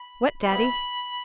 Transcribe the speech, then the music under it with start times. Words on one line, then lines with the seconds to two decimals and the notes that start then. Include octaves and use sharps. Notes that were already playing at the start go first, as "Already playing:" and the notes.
"What, daddy?"
Already playing: B5
0.43 C3 E3 B3 E4 B5